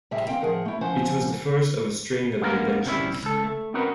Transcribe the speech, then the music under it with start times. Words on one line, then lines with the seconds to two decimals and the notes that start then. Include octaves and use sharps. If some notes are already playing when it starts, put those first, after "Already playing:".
It was the first of a string of inventions.
0.11 A2 C3 G3 G#4 E5
0.28 E2 C4 F5 G5
0.42 A2 F3 G#4 A#4 F#5
0.65 A3 E4
0.81 F3 C#4 C5 F#5
2.41 G#3 A#3 B3 C#4 F#4 A#4
2.85 G2 C3 G3 C#4 E4
3.23 C#2 A4
3.44 A3
3.74 C4 C#4 D#4 F#4 A#4 B4